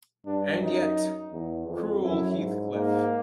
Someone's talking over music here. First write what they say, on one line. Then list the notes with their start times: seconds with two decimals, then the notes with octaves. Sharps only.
And yet, cruel Heathcliff!
0.26 G2 D4
0.61 F#2 D#4
1.32 E2
1.68 F2
2.02 F#2 E4
2.38 G#2
2.73 G#2 A#3